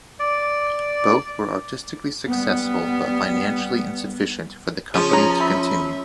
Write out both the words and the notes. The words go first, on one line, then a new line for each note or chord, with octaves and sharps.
Both were artistically successful but financially insufficient for the company to continue.
D5
G3 B3
F3 C#4 G#4
C#5 A#5
E5 B5